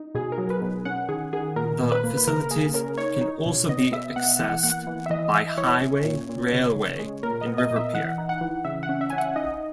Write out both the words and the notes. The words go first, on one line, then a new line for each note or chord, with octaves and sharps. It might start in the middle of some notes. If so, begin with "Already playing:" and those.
The facilities can also be accessed by highway, railway and river pier.
Already playing: D#4
B2 G#4
A#4
F#3
B4
B2
C#4 F#5
D#3 G#4
D#3 G#4
A#2 A#4
A#2
B4
A#3
B4
C#3 A#4
A#3 G#4
C#3 A#4
D#4 C#5
D#4
B2
B3 D#5
B3 E5
B3 F#5
E3 F#5
A#3 F#5
E3
E5
E3 D#5
E3 E5
E3 C#5
C#4
A#2
A#2
C#3
C#3
G#3
A#2 A#4
D#5
B3
D#5
A#2
E5
E3 F#5
D#4
F#5
E3
C#3 E5
F#5
C#4
E5
C#4 G#5
F#5
D#4 D#5